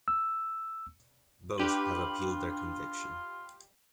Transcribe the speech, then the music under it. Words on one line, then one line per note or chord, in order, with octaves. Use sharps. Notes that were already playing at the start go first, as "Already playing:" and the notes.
Both have appealed their conviction.
E6
D4 F4 G4 B4